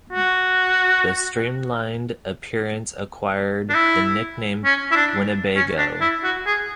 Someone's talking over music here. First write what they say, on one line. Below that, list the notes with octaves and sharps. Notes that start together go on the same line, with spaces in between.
The streamlined appearance acquired the nickname Winnebago.
F#4
D4
E4
C#4
E4
D4
C#4
D4
E4
F#4
G#4